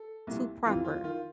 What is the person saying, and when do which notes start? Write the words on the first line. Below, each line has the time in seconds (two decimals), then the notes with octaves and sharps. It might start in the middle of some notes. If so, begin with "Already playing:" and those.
too proper
Already playing: A4
0.27 C2 A#2
0.65 F2 C3 E3 F4
0.85 F4
1.04 D#3 F4